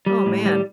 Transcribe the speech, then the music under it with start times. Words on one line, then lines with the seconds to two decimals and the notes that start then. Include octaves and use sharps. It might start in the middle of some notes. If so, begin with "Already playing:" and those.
Oh, man.
0.06 G3
0.26 A2
0.46 G3